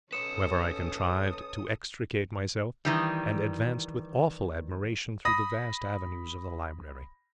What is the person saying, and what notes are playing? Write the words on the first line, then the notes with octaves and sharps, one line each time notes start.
However, I contrived to extricate myself, and advanced with awful admiration through the vast avenues of the library.
C#4 A4 B4 C#5 D#6 C#7 E7
D#3 E3 G3
B5 D#6 A#6